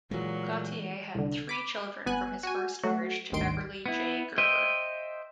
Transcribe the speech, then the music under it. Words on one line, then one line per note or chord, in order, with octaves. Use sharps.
Gautier had three children from his first marriage to Beverly J. Gerber.
A#2 E3 F#3 G#3
C2 D3
B5 D6
G1 B3 G#5 F#6
F#4 G#5
F#3 A3 F#4
G#1 D2 G2 D#3 C6 D7
B3 E4
C5 D#5 E5 G5